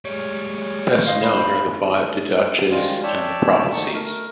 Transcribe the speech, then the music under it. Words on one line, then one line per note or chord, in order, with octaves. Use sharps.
Best known are the five "Didaches" and the "Prophecies".
G3 G#3 C#5
C5 D#5 F5
C5 B5
D#3 F3 G3 G#3 F4
C#5 D5 E5 G5 A5
D#3 F3 A3 D#4 A5 C#6
A3 A#4